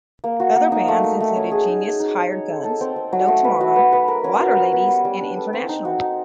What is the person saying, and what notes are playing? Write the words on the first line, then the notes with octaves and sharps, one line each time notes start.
Other bands included Genius Hired Guns, No Tomorrow, Waterladies, and International.
A#3
F#4
A#3
D#4
A3
A3
A3
C#4
G#4
D#4
G#4
D#4
C#5
C#5
A4
A4
C4
C4
F#3
A3
B4
F#4
B4
B4
A#4
C#4
F#4
C#4
B3
G3
G3
D4
A4
C4
D#4
F#4
D#4